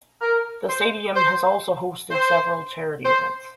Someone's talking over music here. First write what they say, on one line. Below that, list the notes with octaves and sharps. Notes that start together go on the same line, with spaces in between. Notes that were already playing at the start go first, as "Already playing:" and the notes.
The stadium has also hosted several charity events.
A#4
C5
C5
C5
C5